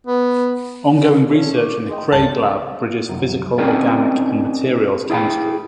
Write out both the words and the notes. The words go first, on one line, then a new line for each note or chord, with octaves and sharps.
Ongoing research in the Craig lab bridges physical organic and materials chemistry.
B3
C#4 E4 F4 A4 D5
C#6 D6
G4 G#4 D#5 G5 C6
C#2 G2 F5 A5
C2 F#2
C4 C#4 D#4 G4 A#4 D5
E4 G#4 D#5 G5 B5